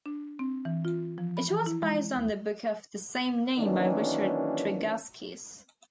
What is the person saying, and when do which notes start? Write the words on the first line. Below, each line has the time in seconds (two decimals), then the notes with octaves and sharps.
It was based on the book of the same name by Richard Tregaskis.
0.06 D4
0.39 C4
0.65 E3
0.85 F4
1.18 F3
1.37 B5
1.49 E3
1.66 E4
1.82 G#3
2.16 D#2
3.59 D#3 E3 F#3 A#3 C#4 D4